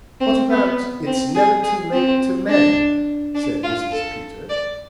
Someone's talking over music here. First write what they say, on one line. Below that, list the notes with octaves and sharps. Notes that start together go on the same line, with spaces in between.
"What about 'It's never too late to mend?'" said Mrs. Peter.
C4
B3
C4
G#4
G#4
C4
D4
D4
F4
A4
D5